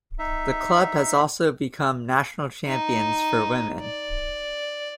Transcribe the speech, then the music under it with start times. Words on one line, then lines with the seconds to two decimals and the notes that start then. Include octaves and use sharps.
The club has also become national champions for women.
0.19 D#4 E5
2.67 D#4
3.81 D5